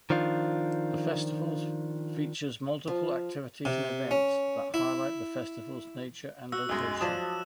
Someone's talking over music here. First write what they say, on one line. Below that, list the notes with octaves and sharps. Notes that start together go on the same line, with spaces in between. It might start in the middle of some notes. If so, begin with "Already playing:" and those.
The festival feature multiple activities and events that highlight the festival's nature and location.
D#3 F3 D4 F4
F3
C3
C#4
E4
F#4 E6 F#6
B1 F#2 G#3 D#4
F3 F#3 D5 A5 D#6 E7